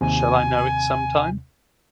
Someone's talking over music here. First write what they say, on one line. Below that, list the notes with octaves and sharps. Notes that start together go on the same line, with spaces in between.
Shall I know it sometime?
D#2 C3 G#5